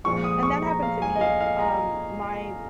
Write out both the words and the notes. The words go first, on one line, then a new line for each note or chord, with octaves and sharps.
Yeah. And that happened to me, um, my
A#2 F3 G#3 C#6
D#6
C#6
A#5
F5
G#5
D#5
F5
F5
A#5